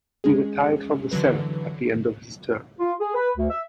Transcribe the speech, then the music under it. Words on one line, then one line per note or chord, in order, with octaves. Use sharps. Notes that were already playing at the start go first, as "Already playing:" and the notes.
He retired from the Senate at the end of his term.
G#3 C#4 G#4
D3 E3 F#3 B4
F4
G#4
B4
D2
E5